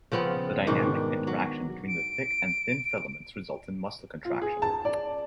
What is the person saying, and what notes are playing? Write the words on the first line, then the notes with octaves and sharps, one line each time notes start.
The dynamic interaction between the thick and thin filaments results in muscle contraction.
C#3 F3 B3 C4
G#2 B2 D#3 D4
F#3
D7
F4
G#4
A5
D5